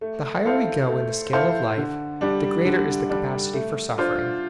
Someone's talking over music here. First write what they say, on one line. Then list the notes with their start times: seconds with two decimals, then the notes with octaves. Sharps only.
The higher we go in the scale of life, the greater is the capacity for suffering.
0.01 A3
0.45 E4 A4 C5 F5
0.89 A3
1.33 E4 A4 C5 F5
1.77 D3
2.21 G3 D4
2.65 D3
3.09 G3 D4
3.53 A3
3.97 D4 F4 C5